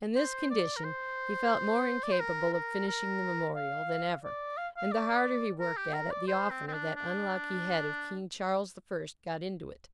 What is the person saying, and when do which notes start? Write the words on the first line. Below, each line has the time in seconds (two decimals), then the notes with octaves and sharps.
In this condition, he felt more incapable of finishing the Memorial than ever; and the harder he worked at it, the oftener that unlucky head of King Charles the First got into it.
0.16 C5
0.51 D5
0.77 A#4
0.84 C5
2.03 D5
2.12 C5
2.20 A#4
2.54 A#4
2.88 A#4
3.56 F5
4.24 D5
4.58 F5
4.77 F5
4.92 D5
5.60 A#4
5.77 G4
5.94 A#4
6.11 D5
6.28 C5
6.51 C4
6.68 C4
6.73 D4
6.96 D4